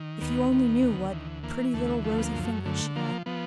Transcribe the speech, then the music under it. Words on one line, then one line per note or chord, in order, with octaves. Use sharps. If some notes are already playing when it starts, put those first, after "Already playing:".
If you only knew what pretty little rosy fingers she had!
Already playing: D#3
D#2 B3
D#3
D2
E3
E3 A#3
D2 A3
F3 A3
B3
A#3
F#2
A3
D3 A3
F3 A#3
F3 B3